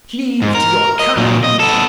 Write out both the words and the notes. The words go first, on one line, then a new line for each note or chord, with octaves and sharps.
Cleave to your kind.
G#2
A#4
D#5
A#2 F#3
D#5
B3 A4